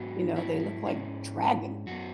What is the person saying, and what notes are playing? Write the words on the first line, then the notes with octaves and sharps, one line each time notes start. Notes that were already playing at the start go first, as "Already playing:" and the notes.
you know, they look like dragon.
Already playing: G#2 F#3 B3 F#4
E4
G#2 G#3 C#4
F#2 F#3 B3 F#4